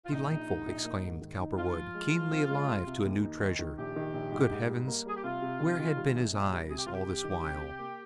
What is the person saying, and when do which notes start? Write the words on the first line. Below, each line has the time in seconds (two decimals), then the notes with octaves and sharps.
"Delightful!" exclaimed Cowperwood, keenly alive to a new treasure. Good heavens, where had been his eyes all this while?
0.06 F4
0.12 A#1 D#4
0.30 A#1
0.49 G#2
0.67 A#1
0.85 A#3
1.04 G#2
1.22 D#3
1.40 D#4
1.58 F3 F4
1.77 F3
1.94 G#3
2.13 F3
2.32 C4
2.50 G#3
2.67 C3
2.87 C3
3.05 D#2
3.23 D#4
3.41 D#3
3.59 D#3
3.78 A#1 G4
3.96 D#3
4.14 A#1
4.32 G#2
4.51 G#2
4.69 G3
4.88 A#3
5.06 G3 G#4
5.16 G4
5.24 C3 F4
5.42 C3
5.60 D#3
5.79 D#3
5.97 G3
6.15 A#1
6.33 A#1
6.52 G3
6.70 C3 G#4
6.78 G4
6.86 C3 F4
6.94 G4
7.07 G3
7.24 D#3
7.43 C3
7.62 C3
7.79 A#3